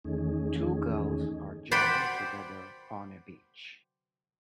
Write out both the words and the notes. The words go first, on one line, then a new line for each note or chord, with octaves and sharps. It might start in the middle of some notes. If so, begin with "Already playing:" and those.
Two girls are jogging together on a beach.
E2 D#3 A3 C#4 D#4 G#4
C5 D5 F#5 G5 B5